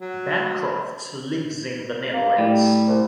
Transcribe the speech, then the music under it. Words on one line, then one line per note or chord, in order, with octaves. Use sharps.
Bancroft lives in the Netherlands.
F#3
A#3
A2 G3
C2